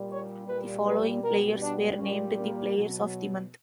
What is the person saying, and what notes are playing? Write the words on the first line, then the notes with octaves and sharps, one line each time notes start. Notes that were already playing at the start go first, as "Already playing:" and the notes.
The following players were named the Players of the Month.
Already playing: A#2 G3
C#5
A#2 G3 B4
B4
B2 G3 A#4
D4
A#2 G3 C#4
A#3
B2 F#3